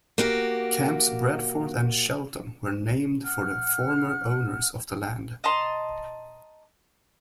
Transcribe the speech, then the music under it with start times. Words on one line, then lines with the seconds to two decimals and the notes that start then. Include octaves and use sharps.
Camps Bradford and Shelton were named for the former owners of the land.
0.18 A#3 F#4 G4
3.24 F#5 F6 F#6
5.44 D#5 A5 A#5 C6